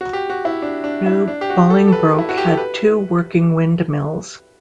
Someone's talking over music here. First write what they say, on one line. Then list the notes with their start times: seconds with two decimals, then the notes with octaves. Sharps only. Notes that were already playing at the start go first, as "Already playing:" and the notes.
New Bolingbroke had two working windmills.
0.01 F#4
0.13 G4
0.30 F#4
0.45 E4
0.62 D4
0.84 D4
1.06 E4
1.28 D4
1.41 G4
1.50 F#4
1.70 A4
1.88 A4
1.92 B4
2.19 E4
2.29 F#4
2.38 G4
2.48 A4
2.57 B4